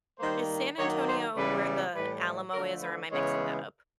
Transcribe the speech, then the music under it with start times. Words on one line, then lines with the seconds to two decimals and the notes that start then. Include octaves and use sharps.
Is San Antonio where the Alamo is, or am I mixing that up?
0.19 D#3 G3 A#3 C5
0.78 D#3 F#3 A#3 C#5
1.07 C5
1.36 C#3 E3 G3 B3 B4
1.95 A2 E3 G3 B4
2.53 D3 F3 A3 A#4
2.82 B4
3.11 C#3 E3 G#3 B3 C#5